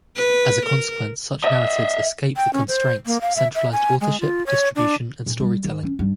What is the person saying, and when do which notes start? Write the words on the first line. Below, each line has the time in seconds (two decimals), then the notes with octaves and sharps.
As a consequence, such narratives escape the constraints of centralized authorship, distribution, and storytelling.
0.15 B4
0.65 A#4
1.44 D#5 E5
2.37 G5
2.53 C#4
2.68 C5
3.06 A#3
3.21 F5
3.36 E5
3.55 E5
3.72 G#5
4.01 G#3
4.20 F4
4.46 C#5
4.76 D4
5.26 A#2
5.40 G3
5.64 D#3
5.83 C#4
5.99 G2